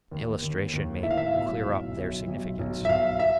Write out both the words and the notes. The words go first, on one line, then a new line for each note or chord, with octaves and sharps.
An illustration may clear up their significance.
D#2
D#2
D#2
A2 E5
F5
E5
B1
B1
B1
B1
B1
E5
B1 F5
E5